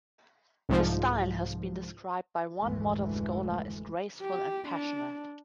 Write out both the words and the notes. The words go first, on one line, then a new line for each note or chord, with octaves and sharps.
His style has been described by one modern scholar as graceful and passionate.
C2 G#2 F3
F1 D2 G#2 E3 G#3 A3
G4
D4